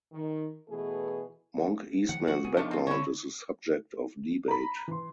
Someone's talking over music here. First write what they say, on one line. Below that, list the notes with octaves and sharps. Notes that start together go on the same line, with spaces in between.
Monk Eastman's background is a subject of debate.
D#3
B2 E3 A3 G#4
D#3 F3 F#5
F3 F#4
B3 G#4
F3 A3 D4 D#4 F4
C4 F4
D3 E4 C#5
A#5 B5
E3 C6